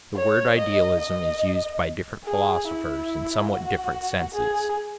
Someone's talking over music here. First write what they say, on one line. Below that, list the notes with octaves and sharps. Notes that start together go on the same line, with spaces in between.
The word 'idealism' is used by different philosophers in somewhat different senses.
C#5
D#5
D#5
G#4
E4
F#4
G#4